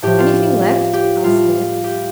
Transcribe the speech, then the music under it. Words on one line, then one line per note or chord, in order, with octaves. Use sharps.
"Anything left?" asked Ned.
A2 F3 G4
F4
G4
A2 G3 F4
G4